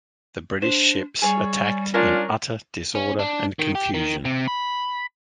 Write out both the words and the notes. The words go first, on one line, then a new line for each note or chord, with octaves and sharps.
The British ships attacked in utter disorder and confusion.
D4 C5
G3 G#4 C#5
C#4 D4 F4 A#4 C#5
C#4
D4
D#3
G4
D#3
C3
B5